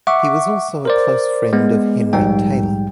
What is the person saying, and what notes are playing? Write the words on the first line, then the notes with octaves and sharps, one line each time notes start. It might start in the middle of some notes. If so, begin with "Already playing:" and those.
He was also a close friend of Henry Taylor.
E5 F#5 C#6 D6
A#4 C5 D5
G#3 B3
A#1 G#2 G3 G5